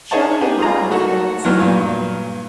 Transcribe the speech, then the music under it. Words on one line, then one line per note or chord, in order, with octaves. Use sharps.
'Show me the battle-field,' said he.
D#4 G#4 C#5 D#5 E5 A5
D#4 G4 G#4 B4
F4 G#4 F5 A#5
A3 A#3 D#4 F#4 A4
E2 F#3 B3 D#4 F6
G2 A#2 F#3